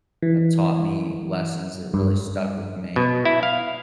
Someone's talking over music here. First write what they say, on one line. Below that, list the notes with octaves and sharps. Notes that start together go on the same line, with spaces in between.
have taught me lessons that really stuck with me,
E3
G2
B2
E4
F5